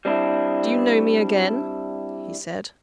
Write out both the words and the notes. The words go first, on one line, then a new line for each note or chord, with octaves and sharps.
"Do you know me again?" he said.
G3 C4 D4 E4